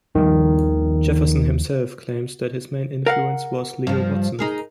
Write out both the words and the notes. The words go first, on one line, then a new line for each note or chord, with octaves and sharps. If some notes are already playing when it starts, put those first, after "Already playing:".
Jefferson himself claims that his main influence was Leo Watson.
D#2 D#3 F3 G3
A#4 F5 F#5
G2 F3
D#4 G#4 A#4